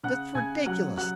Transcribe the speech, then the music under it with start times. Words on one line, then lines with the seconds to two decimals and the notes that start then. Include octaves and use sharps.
That's ridiculous.
0.03 C#3 F#5 F#6
0.35 C#3 G#5 G#6
0.66 F#3 F#5 F#6
0.97 F#3 F#5 F#6